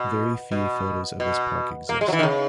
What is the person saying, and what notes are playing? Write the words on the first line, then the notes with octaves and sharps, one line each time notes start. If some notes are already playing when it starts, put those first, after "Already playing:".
Very few photos of this park exist.
Already playing: B2
B2
B2
A#3
G#3
F#3
E3
D#3
C#3